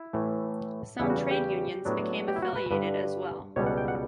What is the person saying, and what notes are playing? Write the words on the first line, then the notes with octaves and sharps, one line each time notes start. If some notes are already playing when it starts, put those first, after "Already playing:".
Some trade unions became affiliated as well.
Already playing: E4
A2 E3 A3
E2 C#3 G3 E4
F#4
G4
A2 F#3 B3 D4
G4
E4
F#4
B4
G2 D3 G3 B4
C#2 B2 G3 C#5
F#5
G5
F#5